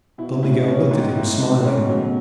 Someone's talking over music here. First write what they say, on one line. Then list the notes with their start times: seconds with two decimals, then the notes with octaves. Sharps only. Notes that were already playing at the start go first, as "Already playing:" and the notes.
Don Miguel looked at him, smiling.
0.18 B2 E4
0.35 C#3
0.43 A2 E4
0.51 B2
0.67 C#3 C#4
0.80 C#3
0.91 G#2 D#3
1.04 C#3
1.16 A2 E4
1.28 A2
1.40 G#2 B2
1.52 D#3
1.65 C#3 C#4
1.76 B2
1.89 A2 F#3
2.01 B2